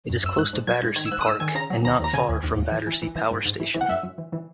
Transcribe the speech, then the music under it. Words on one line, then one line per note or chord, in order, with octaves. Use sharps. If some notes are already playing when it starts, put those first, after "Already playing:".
It is close to Battersea Park, and not far from Battersea Power Station.
F#2
F#2 E6
G#2 F#6
G#2
F#3 G#6
G#2
D#3 G#6
E6
G#2 F#6
D#6
G#2 E6
D#3 G#5
C#3 A#5
F#3
D#2 A#5
D#2 A#5
C#3 G#5
D#2
D#2
D#2
E3
E3
E3
E3
G#2
G#2
E3
E3
F#5
F#2 E5
F#2
E3
E3